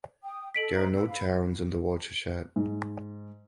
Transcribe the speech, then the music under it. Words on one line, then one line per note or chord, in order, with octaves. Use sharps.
There are no towns in the watershed.
G5 D#6
A4 D#5 B6 D7 F#7
D#4 C5 A#5
B4 E6
F5 B5
G#2